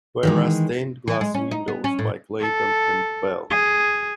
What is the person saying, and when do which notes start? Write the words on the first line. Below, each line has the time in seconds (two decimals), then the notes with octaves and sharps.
There are stained glass windows by Clayton and Bell.
0.23 D#3 E3 G#3
1.08 E3
1.21 G#3
1.34 C#4
1.51 D#4
1.68 B3
1.84 C#4
1.99 A2
2.40 A4
3.50 G#4